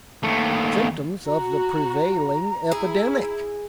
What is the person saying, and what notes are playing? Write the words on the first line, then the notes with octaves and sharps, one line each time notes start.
"Symptoms of the prevailing epidemic."
D#2 A3
F#4 A#5
E4 G#4